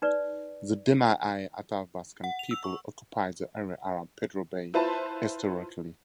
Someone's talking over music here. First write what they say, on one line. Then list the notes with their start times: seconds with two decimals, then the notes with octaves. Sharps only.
The Dena'ina Athabascan people occupied the area around Pedro Bay historically.
0.02 D#4 B4 D5
2.24 F#5
2.39 F7
2.51 E6
2.64 C#6
4.74 E4 F4 B4 C5 A5